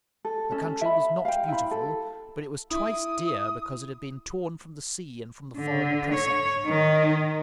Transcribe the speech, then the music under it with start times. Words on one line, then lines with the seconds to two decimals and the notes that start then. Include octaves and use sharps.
The country was not beautiful, but it was twice dear because it had been torn from the sea and from the foreign oppressor.
0.25 A4
0.52 C#4 A4
0.81 E5 B5
1.25 F5 G5
1.48 E4 B5
1.71 A4
2.71 E4 D#6
5.57 D3
6.15 C#5
6.67 D#3